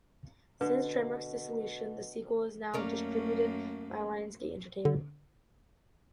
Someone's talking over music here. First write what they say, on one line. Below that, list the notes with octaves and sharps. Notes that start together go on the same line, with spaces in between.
Since Trimark's dissolution, the sequel is now distributed by Lions Gate Entertainment.
B2 D3 B4
F#2 A3 A#3 C#4 A#4 D5
D3